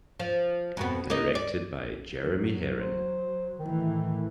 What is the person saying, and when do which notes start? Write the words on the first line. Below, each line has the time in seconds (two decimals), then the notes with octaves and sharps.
Directed by Jeremy Herrin.
0.20 F3
0.77 F2 B2 B3
1.10 A#3 D#4 D#5
1.35 D5
2.08 F#3
2.81 C5
3.59 A2 D#3 E3 A3